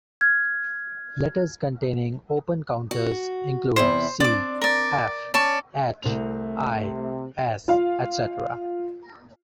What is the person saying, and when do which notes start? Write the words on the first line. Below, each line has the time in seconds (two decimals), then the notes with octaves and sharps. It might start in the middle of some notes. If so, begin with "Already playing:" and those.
Letters containing open counters include c, f, h, i, s etc.
0.21 F6 G#6
2.91 F#4
3.76 E2 C3 E4 C5
4.20 C4 D4 D5 D6
4.61 A#4 D5
5.34 C#4 D5 A5 C#6
6.02 C2 A3 C4 F7
6.80 C3
7.68 F4 F5